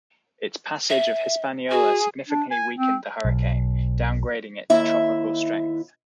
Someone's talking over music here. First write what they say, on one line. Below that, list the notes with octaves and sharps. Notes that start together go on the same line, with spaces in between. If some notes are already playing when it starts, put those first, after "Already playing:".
Its passage of Hispaniola significantly weakened the hurricane, downgrading it to tropical strength.
E5
F#4 G#4
D4
G#5
C4
B1
D#2 E4 E5